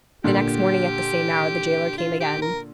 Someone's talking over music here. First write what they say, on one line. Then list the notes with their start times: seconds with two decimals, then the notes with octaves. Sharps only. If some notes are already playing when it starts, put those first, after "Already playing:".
The next morning at the same hour, the jailer came again.
0.24 A#2 D3 G4
1.98 F4
2.20 G4
2.42 A#4